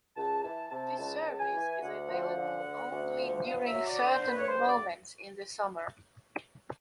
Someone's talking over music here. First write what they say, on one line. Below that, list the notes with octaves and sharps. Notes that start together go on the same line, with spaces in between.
This service is available only during certain moments in the summer.
C#2 A5
E3 A5
C3 A5
C#2 A5
C#2
G#5
E3
D2 F#5
F3
D3
D2
D2
F3
G2 F5
E5
F#3
D5
D3
C5
G2 B4
C#5
C5
G2
D5